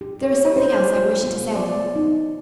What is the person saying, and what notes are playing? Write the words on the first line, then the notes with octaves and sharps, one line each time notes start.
There is something else I wished to say.
G4
C#5
C5
F4
B3
D5
D#4